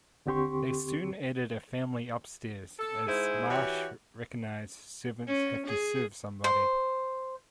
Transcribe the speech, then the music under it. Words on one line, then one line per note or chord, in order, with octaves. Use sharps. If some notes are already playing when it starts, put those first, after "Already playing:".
They soon added a family upstairs, as Marsh recognised "Servants have to serve somebody".
D#2 D3 C4 G4 C6 C#6
A4
G#2 E4 G#4 C5
E3 F#4 G4 C#5
C#4
G#4
C5